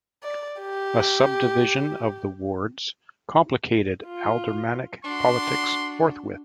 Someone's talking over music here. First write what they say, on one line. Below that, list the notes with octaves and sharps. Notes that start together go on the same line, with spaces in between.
A subdivision of the wards complicated aldermanic politics forthwith.
D5
G4
F4
D4 F#4 C6